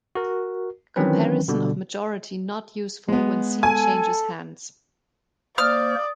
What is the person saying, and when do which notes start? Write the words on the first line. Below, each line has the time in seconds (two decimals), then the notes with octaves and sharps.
Comparison of majority not useful when seat changes hands.
0.15 F#4 A#4
0.96 D#3 E3 F#3 C4 C#4 B4
1.48 B2 D3 G3
3.08 G#3 B3
3.63 A4 G#5
5.58 A#3 C5 D5 D#6 F6